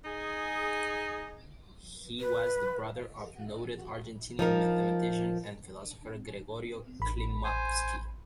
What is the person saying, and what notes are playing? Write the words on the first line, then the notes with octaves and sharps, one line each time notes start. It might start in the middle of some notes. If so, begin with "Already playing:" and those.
He was the brother of noted Argentinian mathematician and philosopher Gregorio Klimovsky.
D#4 G#4
B4
F3 D#4 A#4
A1 B5
C5 G#5